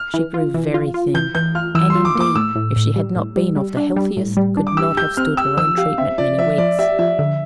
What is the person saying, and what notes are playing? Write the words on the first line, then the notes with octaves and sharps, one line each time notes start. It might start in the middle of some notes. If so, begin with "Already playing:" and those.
She grew very thin; and, in-deed, if she had not been of the healthiest, could not have stood her own treatment many weeks.
Already playing: F6
E3
F4
E3
F4
F4
E3 G6
E3 G6
F4 F6
E3 E6
C6
F4
D6
A#3
D6
A2 E6
A2
A2
G3
A2
G3
G3
D4
G3
A2
G3
D4
D6
G4 E6
G4 G6
C4 F6
G4 E6
F3 E6
G4 F5
C4 E5
F3 D5
F3 E5
F3 D5
G4 E5
F3 E5
D3 E5